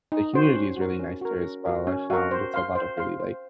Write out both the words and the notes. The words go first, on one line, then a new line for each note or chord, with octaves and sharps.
the community is really nice there as well. I've found it's a lot of really, like,
D#4
F#4 C5
C#4
F#4 A#4
C#4
F#4 A#4
C#4
F#4 A#4
C#4
F#4 A#4
C5
F5 C6
C5
F5 C6
C5